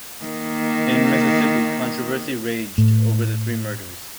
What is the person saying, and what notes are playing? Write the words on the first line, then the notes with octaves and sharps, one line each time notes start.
In Mississippi, controversy raged over the three murders.
D#3 A#3
A2